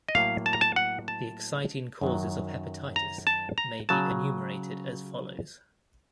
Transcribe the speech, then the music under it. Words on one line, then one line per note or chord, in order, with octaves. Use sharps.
The exciting causes of hepatitis may be enumerated as follows.
D#5
A2 F#3 A#3 F5
A5
A#5
A5
F#5
A5
F#2 D#3 F#3
A#5
A5
A#5
C#3 F#3 A5